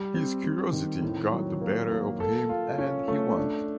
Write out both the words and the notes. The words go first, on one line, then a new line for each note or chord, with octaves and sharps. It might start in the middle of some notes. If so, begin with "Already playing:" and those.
His curiosity got the better of him and he went.
Already playing: G3
C4
C4
D#3
A2
F#3
A#3
A#3
A4
F4
C#4
A3
D4